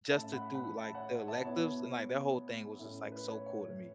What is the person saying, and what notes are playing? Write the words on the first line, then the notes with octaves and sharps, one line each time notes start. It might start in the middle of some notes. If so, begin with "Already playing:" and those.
just to do, like, the electives. And, like, that whole thing was just, like, so cool to me.
A2 A3 C#4 E4 E5 A5
F#5 B5
F#5 B5
E5 A5
C#5 F#5
C#5
E5 A5
B2 B3 E4 C#5
A2 A3 C#4 E4
B4
C#5
C#5